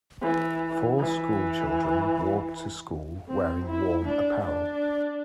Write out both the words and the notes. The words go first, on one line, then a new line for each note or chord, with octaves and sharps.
Four school children walk to school wearing warm apparel.
E3
E3
C4
E4
D4
D4